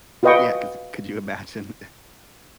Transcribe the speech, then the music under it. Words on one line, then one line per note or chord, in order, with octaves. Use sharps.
Yeah, 'cause could you imagine
F4 F#4 B4 D#5 G5 C#6